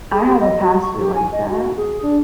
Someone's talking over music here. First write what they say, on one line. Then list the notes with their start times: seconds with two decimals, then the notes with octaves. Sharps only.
I have a pastor like that.
0.12 G#4
0.27 G4
0.41 D#5
0.62 F#4
0.82 C#6
0.99 G4
1.15 G#5
1.32 D#5
1.49 F#4
1.77 G#4
2.03 D4